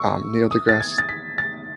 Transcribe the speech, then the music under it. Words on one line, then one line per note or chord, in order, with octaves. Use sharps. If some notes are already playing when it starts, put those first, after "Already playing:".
um, Neil deGrasse
Already playing: C#6 E6
D#6
A6
G#6
A6
B6
A6